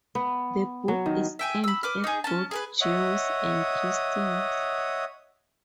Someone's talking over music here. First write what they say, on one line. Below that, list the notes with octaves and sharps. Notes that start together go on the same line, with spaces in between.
The book is aimed at both Jews and Christians.
B3
F#3
D#3
E5 G5 G#5
B5 E6
B4 D6 F6
D#4 G#4
C#4 A5
G#4 A#4 B4
C#5 D#5 E5 F#5 D#6